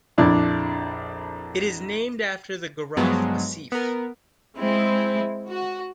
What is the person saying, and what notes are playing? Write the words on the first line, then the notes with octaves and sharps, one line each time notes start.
It is named after the Garraf Massif.
A#1 F2 D4 E4
G2 F3 F#3 G#3 B3
B3 A#4
G#3 C4 E4
F#4